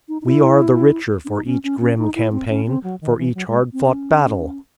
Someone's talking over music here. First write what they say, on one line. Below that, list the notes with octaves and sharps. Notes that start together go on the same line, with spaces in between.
We are the richer for each grim campaign, for each hard-fought battle.
D#4
D#4
E4
C#4
D#4
C#4
C#4
C#4
D#4
E4
C4
C#4
C4
F#3
D#3
E3
F#3
G#3
C4
C#4